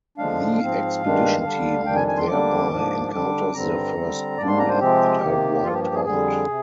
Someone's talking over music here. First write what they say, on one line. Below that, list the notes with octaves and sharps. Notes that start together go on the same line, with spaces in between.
The expedition team thereby encounters their first "Ghoul" and are wiped out.
D3 F3 G#3 D4 F5
G#2 F3 C4
G2 D#3 G#3 D4
D3 G3 D4
F2 D#3 G3 D4 G5
G#5
G#5
C6
D3 G3 A#3 D4 D6
G#2 F3 A#3 D4
D3 G3 D4 D6
G2 D3 G3 C4 A#5
D3 G3 C4
G#2 G3 A#3 D4 D5
C6
A#5
C5
C3 F3 G#3 C4 G4
C3 D#3 A#3
G2 F3 A#3 F4
G4
G4
G#4
F2 D3 G3 G#4
C3